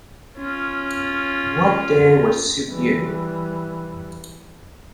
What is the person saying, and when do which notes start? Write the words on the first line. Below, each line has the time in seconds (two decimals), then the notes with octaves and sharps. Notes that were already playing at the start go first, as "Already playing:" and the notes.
What day would suit you?
0.37 C#4 F4
2.67 E3 G3